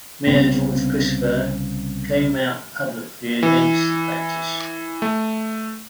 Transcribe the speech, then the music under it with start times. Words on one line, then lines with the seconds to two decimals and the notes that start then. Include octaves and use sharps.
Mayor George Christopher came out publicly against the practice.
0.27 C2 C#3 B3 C4
3.43 E3
5.02 A3